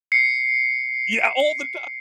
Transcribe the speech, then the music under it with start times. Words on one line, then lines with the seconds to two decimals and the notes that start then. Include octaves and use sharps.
Yeah, all the time.
0.12 C7 C#7